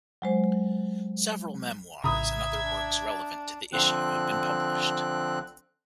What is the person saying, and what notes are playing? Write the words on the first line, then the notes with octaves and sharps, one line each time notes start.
Several memoirs and other works relevant to the issue have been published.
F#3 G#3 C5
A#1 A2 C#3 E5 A#5 B5 D#6 G#6
D4
D3 F3 C4 F#6